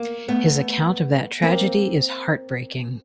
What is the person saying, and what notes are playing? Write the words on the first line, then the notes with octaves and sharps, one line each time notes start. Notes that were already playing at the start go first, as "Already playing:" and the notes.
His account of that tragedy is heartbreaking.
Already playing: A#3
A3 B3
A#3 C4